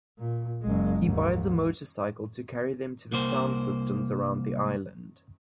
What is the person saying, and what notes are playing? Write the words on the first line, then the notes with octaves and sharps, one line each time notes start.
He buys a motorcycle to carry them to the sound systems around the island.
A#2
F#1 G#3
D#2 G#2
C2 A#3 C5